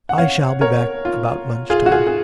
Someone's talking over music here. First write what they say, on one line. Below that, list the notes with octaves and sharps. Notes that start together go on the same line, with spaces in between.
I shall be back about lunch time.'
F#5
C#5 F5
A#4 C#5
F4
F4 G#4
F#4
F4 G#4
G#4